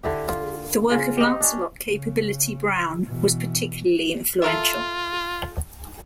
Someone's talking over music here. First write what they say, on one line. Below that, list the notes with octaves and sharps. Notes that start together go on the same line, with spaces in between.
The work of Lancelot "Capability" Brown was particularly influential.
D3 E4 G4
F4
C#3 F4
D#4 G4
C#4 D4
C#3
B2 E3
F4 A4 A#4 E5